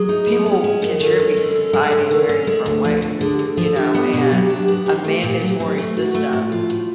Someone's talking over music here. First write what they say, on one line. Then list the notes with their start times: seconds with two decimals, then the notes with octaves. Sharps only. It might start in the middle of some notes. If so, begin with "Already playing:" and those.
people contribute to society in very different ways, you know, and a mandatory system
Already playing: F#3 G#4
0.09 D#4
0.27 B3
0.46 C#4
0.64 G#3
0.82 F#2
1.00 D#3 A4
1.19 C#4
1.37 G#3
1.55 C#4
1.73 G#3
1.92 G2
2.11 D#3
2.29 C#4
2.47 G#3
2.66 D2
2.85 F3
3.02 D2
3.21 D3 G#4
3.35 D2 G4
3.49 A4
3.57 F3
3.63 A4
3.76 D4 G4
3.94 B3
4.13 B2
4.31 F#3
4.50 D4
4.68 B3
4.86 C4
5.04 A3
5.23 A#2
5.41 F#3
5.60 C4
5.78 A3
5.96 A2 F#4
6.15 A3
6.33 A2
6.52 F3 F4
6.70 A2